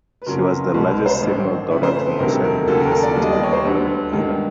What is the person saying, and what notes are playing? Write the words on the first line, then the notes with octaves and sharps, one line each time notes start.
She was the largest single donor to Marshall University in the modern era.
B4
F#1 F2 C#3 F#3 A#4
C2 B2 G#3 B3 B4
B4
C5
A1 G2 D#3
F2 C#3 E3 A3 B4
C5
B4
E1 D2 C3 D#3 G3 A#4
A4
A#4
E1 D#2 C#3 F#3 A#3 A4
A#4
A#4
D5
D#2 D#3 G3 B3
D#5
D5
C#5
C5
D2 D3 G3 B4
G2 D#3 G#3 B3